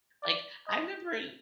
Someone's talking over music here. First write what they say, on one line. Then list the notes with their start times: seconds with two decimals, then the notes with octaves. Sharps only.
like, I remember i
0.23 D5
0.67 D#5